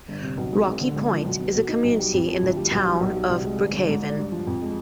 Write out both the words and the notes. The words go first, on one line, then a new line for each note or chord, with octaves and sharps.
Rocky Point is a community in the Town of Brookhaven.
G1
C3
B1
G#3
G#1
D3
G#1
F3
B1
B3
B2
D#4
B1
G3
F2
F3
D2
G3
B1
G3
B1
G3
C2
G#3
G1
D3
G#2
D4
G2
F3
F2
G#3